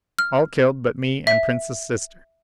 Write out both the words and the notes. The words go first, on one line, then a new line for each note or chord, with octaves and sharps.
All killed but me and Prince's sister.
F6
E5